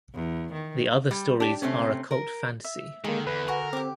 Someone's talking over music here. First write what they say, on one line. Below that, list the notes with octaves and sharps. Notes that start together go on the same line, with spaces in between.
The others stories are occult fantasy.
E2
D#3
G3
D4 G4
C3 A3 C4 C#4
A#4
E5
D3 D#3 G#3 A#3 G#4
E2 B4
F#4 A#4 G#5 C#6
C4 G4 D6